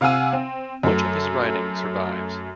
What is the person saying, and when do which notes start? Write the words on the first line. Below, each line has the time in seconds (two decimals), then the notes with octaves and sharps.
Much of his writing survives.
0.01 C3 F5 F#5 G#5 E6 D#7
0.33 C4
0.83 F#2 A3